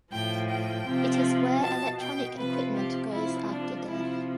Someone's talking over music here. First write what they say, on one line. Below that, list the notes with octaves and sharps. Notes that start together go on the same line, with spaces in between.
It is where electronic equipment goes after death.
A2 F3 G5
G5
C3 F3
B2 A5
G5
C3 F3 B4
G4
C3 F3 E4
D4
C3 F3 E4